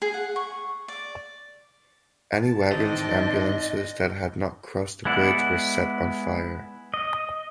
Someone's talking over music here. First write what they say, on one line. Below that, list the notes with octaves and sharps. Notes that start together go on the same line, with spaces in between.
Any wagons and ambulances that had not crossed the bridge were set on fire.
G#4
F#5
C#6
D5
A5
G#2 D#3 E3 C4 D4 D#5
G#3 B3 E4 D5 F#5
D#5